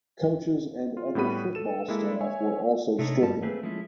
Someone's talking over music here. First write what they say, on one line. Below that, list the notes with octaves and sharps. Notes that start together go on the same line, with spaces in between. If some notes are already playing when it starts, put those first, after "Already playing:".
Coaches and other football staff were also stricken.
F4
A2 G3 B3 F#4 B5 D#7
A4 E7
G#3 A#3 E4 A4
C#5 E5 G#5
C3 A3 D4 D#4 C#5
G2 G3 A5
A3 A#3 C4 G#4 B4
F3 G#3 A3 C#4 E4